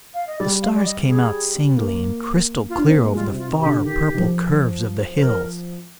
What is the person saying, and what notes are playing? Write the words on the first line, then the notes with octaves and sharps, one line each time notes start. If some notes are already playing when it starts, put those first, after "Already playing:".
The stars came out singly and crystal clear over the far purple curves of the hills.
F5
D#5
G3 D5
F5
D5
D#5
G#4
A#3
F4
D4
C4
A#3
G#3
G3 F4
C3
F4
C3
G4
D3
D#3 G4
D#3
F3
C5
A#4